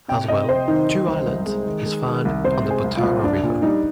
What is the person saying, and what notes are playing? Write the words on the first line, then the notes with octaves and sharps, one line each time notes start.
As well, 'Two Islands' is found on the Potaro River.
C3 G5
C3 D#5
C3 C5
D#3 D#4
D#3
C2
C2
G#3
D#3
G#3
D#3
C2
C3 C5
G#3
G#4
C2
F4
C2
C2 D4
A#2
G3 D#4